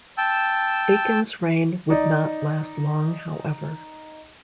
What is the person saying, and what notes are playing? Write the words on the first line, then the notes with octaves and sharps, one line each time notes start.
Akins's reign would not last long however.
G5 A5 E6
D#4 D5